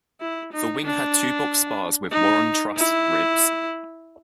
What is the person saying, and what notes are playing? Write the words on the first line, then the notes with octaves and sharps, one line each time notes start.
The wing had two box spars with Warren truss ribs.
E4
D#4
D4
D#4
E4